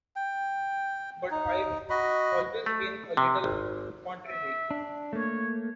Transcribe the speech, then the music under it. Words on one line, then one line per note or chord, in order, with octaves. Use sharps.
But I've always been a little contrary.
G5
D#4
F#4 D#5 B5
A3
C3
G#1
E5
D4
A3 A#3 C#5